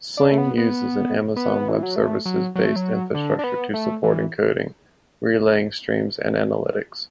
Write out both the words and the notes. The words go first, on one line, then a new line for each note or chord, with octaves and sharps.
Sling uses an Amazon Web Services-based infrastructure to support encoding, relaying streams and analytics.
D4
A3
B3
B3
B3
E3
F#3
A3
F#3
F#3
A3
F#3
D3
D4
B3
A3
E3